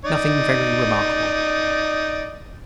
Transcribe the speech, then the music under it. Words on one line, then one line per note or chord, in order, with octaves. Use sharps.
Nothing very remarkable.
D#4 D5